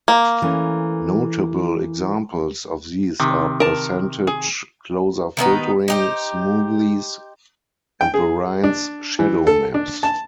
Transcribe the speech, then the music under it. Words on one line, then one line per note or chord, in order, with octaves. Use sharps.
Notable examples of these are Percentage Closer Filtering, Smoothies, and Variance Shadow maps.
A#3
E3 A3 C#4
C3 D#3
A#4 A5
G#4
D#3 A3 B3 D#4
D#4 G4 C5
G5
G#4
D4
E3
A4
D4
A5